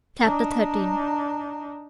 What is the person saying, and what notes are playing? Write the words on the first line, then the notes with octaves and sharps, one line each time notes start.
Chapter XIII.
D4 D#4